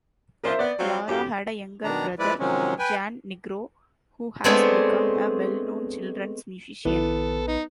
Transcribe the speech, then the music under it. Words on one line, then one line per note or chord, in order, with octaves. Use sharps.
Laura had a younger brother, Jan Nigro, who has become a well-known children's musician.
F3 D4 F4 A#4 C5 E5
B3 D5
F#3 C4 F4
F#2 A2 G4
B2 D#3 D4 A#5
F3 G#3 E4 B4 D5
C3 D#3 F3 F#3 G#3 C#4
B4 G5 G#5
G#3 A3 B3 C4 D4 C#5
A#1 D#3 B3 E4 A4
D#4